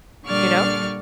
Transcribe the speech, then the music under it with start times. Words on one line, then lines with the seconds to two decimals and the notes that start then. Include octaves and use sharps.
you know?
0.25 A#2 D3 G3 D5 C#6 F6